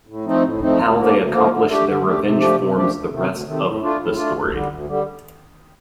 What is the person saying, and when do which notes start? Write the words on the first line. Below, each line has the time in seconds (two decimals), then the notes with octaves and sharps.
How they accomplish their revenge forms the rest of the story.
0.07 A2
0.25 F3 A3 C4 D#4
0.43 A2
0.60 F3 A3 C4 D#4
0.79 D2
0.95 D3 F3 A#3
1.14 D2
1.31 D3 F3 A#3
1.49 D3
1.66 A3 D4 G4
1.85 D3
2.02 A3 D4 G4
2.20 C3
2.37 F3 A3 D4 G4
2.55 C3
2.72 F3 A3 D4 G4
2.90 D2
3.09 C3 D#3 A3
3.26 D2
3.44 C3 D#3 A3
3.62 A2
3.79 A3 D4 F4
3.97 A2
4.15 A3 D4 F4
4.32 D2
4.50 D3 G3
4.68 D2
4.86 D3 G3